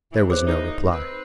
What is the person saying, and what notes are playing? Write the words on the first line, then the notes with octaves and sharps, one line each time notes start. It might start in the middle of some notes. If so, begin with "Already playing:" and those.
There was no reply.
F#2 D3 E3
G#4 C5
A2 A#3 D#4
C4 B4